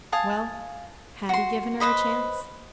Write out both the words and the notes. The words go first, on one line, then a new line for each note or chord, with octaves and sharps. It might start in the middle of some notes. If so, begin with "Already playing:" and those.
Well, had he given her a chance?
F5 G#5 A5 D#6
F#4 C6
B4 C5 D#5 B5